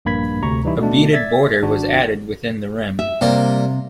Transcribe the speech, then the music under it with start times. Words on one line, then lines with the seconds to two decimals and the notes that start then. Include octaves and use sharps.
A beaded border was added within the rim.
0.05 A#1 G2 A#3 B5 G#6 B6
0.42 D2 C3 A#5 C#6
0.65 E3 G3 D#4 E4
0.78 B2 A3 D4
1.12 D5 E5 G#6 A6 B6
1.62 G#1 D4 F#4
2.99 E5
3.21 C3 G3 A#3 D5